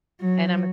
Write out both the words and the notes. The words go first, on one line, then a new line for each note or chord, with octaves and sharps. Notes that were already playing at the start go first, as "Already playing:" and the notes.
and I'm a
F#3